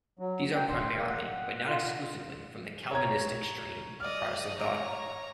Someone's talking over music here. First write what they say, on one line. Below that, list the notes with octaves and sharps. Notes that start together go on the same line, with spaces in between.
These are primarily, but not exclusively, from the Calvinistic stream of Protestant thought.
F#3
G5
C6
A#3
F#5
F4
C#5 A#5 G#6
D5 D#5 F6
C#5 A#5